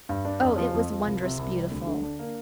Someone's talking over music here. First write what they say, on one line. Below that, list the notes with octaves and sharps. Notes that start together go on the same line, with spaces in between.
Oh, it was wondrous beautiful!
G2
D4
F2
F3
F2
F3
C2
C3
C2
G3
D2
D3
D4
A#3